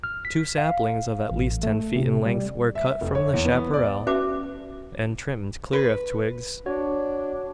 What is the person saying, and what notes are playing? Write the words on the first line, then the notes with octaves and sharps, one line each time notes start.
Two saplings of at least ten feet in length were cut from the chapparal, and trimmed clear of twigs.
F6
B6
F5
A1
A3
C3
G3
E5
F1
C#5
E2
B3
D5
C#4 F#4 B4 E5 A5 D6
B4
D4 F#4 C#5